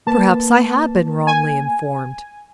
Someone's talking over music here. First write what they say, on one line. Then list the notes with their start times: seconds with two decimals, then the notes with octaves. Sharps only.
'Perhaps I have been wrongly informed.
0.07 A#3 B4 A5
1.27 G#5